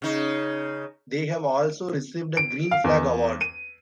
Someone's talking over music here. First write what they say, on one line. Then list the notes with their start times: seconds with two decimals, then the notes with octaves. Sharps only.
They have also received a Green Flag Award.
0.02 C#3 D#4
2.37 D7
2.71 F5
2.84 E2
3.41 D#7